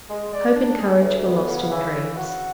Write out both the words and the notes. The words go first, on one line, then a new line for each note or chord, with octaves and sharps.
Hope and courage were lost in dreams.
G#3
D5
D4
G#4
D2
B3
C#3
E3
C#3
F#4